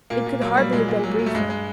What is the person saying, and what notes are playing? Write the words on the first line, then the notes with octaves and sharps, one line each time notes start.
It could hardly have been briefer.
A#2 A#3
A#2
F#3 A#3
F#3 G3
A#2 G#3
A#2
F#3
F#3
A3
G2 G#3
G#3